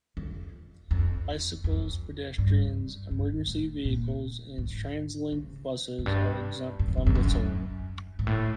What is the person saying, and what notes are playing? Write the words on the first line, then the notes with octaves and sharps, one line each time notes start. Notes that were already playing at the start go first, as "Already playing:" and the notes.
Bicycles, pedestrians, emergency vehicles and TransLink buses are exempt from the toll.
F2
F2
F2
G2
G2
A2
A#2
G#2
C#3
F#2
G2
F#2
F2
E2
F2
F#2
G#2
A2